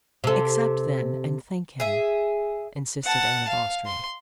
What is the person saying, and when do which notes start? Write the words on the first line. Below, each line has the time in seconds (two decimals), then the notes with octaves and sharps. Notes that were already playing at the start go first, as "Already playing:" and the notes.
"Accept, then, and thank him," insisted Anne of Austria.
0.24 C3 A4
1.80 G#4 E5
3.04 F#5 A5
3.48 F5
3.86 C6